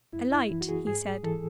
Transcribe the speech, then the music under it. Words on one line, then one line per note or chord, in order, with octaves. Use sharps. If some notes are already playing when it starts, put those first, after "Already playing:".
"A light," he said.
F#2 E4
E4
E3
F#4
G#4
G#2 G#4
E3 A4